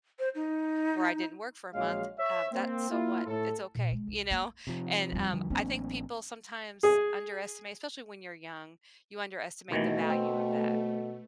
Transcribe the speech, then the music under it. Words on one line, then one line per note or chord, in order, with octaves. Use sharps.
where I didn't work for a month, um, that's so what, it's okay, you know, and, um, I think people sometimes underestimate especially when you're young, you underestimate the value of that.
C5
D#4
A#1 F#3 G#3 C#5 F5
C#5 E5
A#3 C4
A#3 E4 F4
A2 A4
A#2
G#3
C2
A#3
C3 F3
E2 G3
D3 F3
A1 F#3 A#3 C4 D4
G#4
D#2 B2 D#3 E3 A3
C4